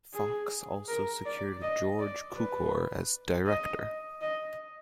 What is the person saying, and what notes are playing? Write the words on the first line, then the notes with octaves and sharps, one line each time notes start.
Fox also secured George Cukor as director.
G#4
A#4
D5
D#5
D5
B4
D#5
D#5